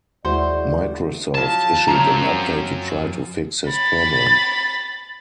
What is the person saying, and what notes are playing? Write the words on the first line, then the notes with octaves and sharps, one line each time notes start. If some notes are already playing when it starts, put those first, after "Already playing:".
Microsoft issued an update to try to fix his problem.
D#2 G#3 E4 F#4 C5 D5
F3 F#3 A5
F#2 F3 C4 A#5
B5 A6